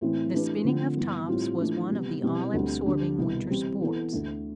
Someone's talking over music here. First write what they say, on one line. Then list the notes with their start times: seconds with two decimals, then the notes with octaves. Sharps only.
The spinning of tops was one of the all-absorbing winter sports.
0.01 A2 E3 A3 C4
0.34 E3 A3 D4 G4 B4
0.65 D3 F3 A3 C4 F4
0.96 G2 E3 B3
1.29 A2 G3 C4 F4
1.60 E3 A3 D4 F4
1.91 C3 G3 B3
2.23 B2 G3 C4 E4
2.54 D2 D3 G3 C4
2.86 D3 G3 D4
3.18 C2 B2 B3 E4
3.50 E3 G3 C4
3.81 E3 B3 E4 A4
4.13 D2 D3 A3